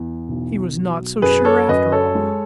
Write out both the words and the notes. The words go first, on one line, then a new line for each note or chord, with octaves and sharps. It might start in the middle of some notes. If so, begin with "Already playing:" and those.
He was not so sure, after all.
Already playing: E2
B1
F#3
F#2 G#4 B4
A4 C#5
F#2 B4 D#5
A4 C#5
G#3